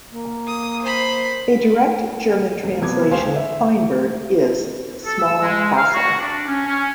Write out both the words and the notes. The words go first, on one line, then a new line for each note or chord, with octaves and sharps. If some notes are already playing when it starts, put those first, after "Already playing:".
A direct German translation of Kleinburg is "small castle".
A#3
D#6
C5 B5
E1
B1 C3 B3 D6 G#6
D#2 G#3 C5 F5 G#5 C6
E5
A4
E6
G#3
F5
F#4
D4
C#4
C#4